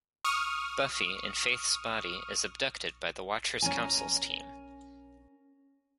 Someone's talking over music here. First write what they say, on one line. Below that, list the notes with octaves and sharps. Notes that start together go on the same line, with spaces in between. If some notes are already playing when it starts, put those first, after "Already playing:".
Buffy, in Faith's body, is abducted by the Watchers Council's team.
C#6 D#6 F6
C#4 A#4 G#5